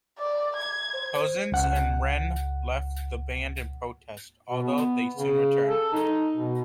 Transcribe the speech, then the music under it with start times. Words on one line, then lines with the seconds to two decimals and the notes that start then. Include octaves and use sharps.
Couzens and Wren left the band in protest, although they soon returned.
0.19 D5
0.56 G#6
0.94 C5
1.52 C#2 F#5
4.50 B2
4.63 B3
5.17 C#3
5.68 A4
5.93 D#4
6.35 B2